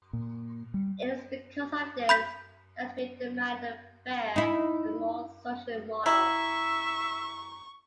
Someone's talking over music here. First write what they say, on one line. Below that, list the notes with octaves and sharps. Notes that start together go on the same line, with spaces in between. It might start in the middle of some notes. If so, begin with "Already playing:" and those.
It is because of this that we demand a fair and more social model.
A#2
G3
B5 G6 B6
D#4 E4
E4 E5 A#5 C#6